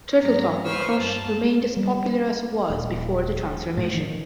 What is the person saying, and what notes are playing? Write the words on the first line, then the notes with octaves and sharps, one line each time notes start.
Turtle Talk with Crush remained as popular as it was before the transformation.
G#2 F#3 A#5 A#6
B4 C5 C#6 E6 F6
G2 A5
G3
D#1
A2
D#3